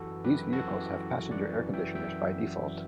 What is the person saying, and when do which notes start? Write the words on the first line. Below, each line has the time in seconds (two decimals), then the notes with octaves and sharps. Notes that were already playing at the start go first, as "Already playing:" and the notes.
These vehicles have passenger air conditioners by default.
Already playing: F#2 E3 F#4 G4 A4 B4
0.24 F#2 G4 B4
0.53 F#4 A4
0.67 E3
0.81 G4
1.10 F#2
1.31 D5 F#5
1.53 E3
1.74 E5 G5
1.95 F#2 E5 G5